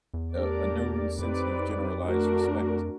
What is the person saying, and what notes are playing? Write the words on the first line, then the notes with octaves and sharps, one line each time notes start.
uh, no sense of generalized respect.
E2
A3 D4 G4 A#4 D5
F2 C4 D#4 G4 B4 D5
A3 D4 F#4 A#4